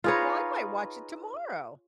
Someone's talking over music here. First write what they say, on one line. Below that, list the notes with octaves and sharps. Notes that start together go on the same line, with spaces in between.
Well, I might watch it tomorrow.
D#4 F4 G#4 B4 C#5 A#5